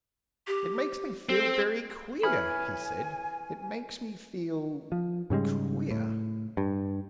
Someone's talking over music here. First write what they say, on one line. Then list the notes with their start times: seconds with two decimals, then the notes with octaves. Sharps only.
"It makes me feel very queer," he said; "it makes me feel--queer!"
0.47 G4
1.29 C4 A4
2.23 E3 C#5 G#5 B5 D#6 F6
4.92 F3
5.30 G#2 C#3 G3 G#3
5.91 A2
6.57 G2